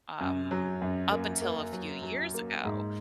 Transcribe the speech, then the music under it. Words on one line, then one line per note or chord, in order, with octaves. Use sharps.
um, up until a few years ago,
F#2
F#3
F#2
A#3
A#3
F#3
F#3
A#3
G#2